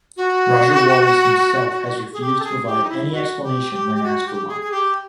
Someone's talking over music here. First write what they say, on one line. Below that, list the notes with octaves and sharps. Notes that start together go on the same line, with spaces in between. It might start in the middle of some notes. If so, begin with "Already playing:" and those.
Roger Waters himself has refused to provide any explanation when asked for one.
F#4
G#4
G4
A4
G#4
G4
D#4
E4
F#4
G4
G4
G4
F#4
G4
G#4
G#4
G4